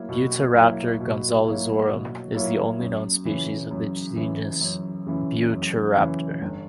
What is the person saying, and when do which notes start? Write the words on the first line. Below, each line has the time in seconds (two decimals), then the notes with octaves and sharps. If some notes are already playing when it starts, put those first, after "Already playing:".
"Buitreraptor gonzalezorum" is the only known species of the genus "Buitreraptor".
Already playing: F#3 A#3 E4
0.09 B2
0.55 F#3 A#3 E4
1.00 B2
1.45 F#3 A#3 E4
1.89 B2
2.35 F#3 A#3 E4
2.80 F#2
3.25 C#3 E3
3.71 F#2
4.16 C#3 E3
4.61 F#2
5.07 C#3 E3
5.51 F#2
5.96 C#3 E3
6.42 G1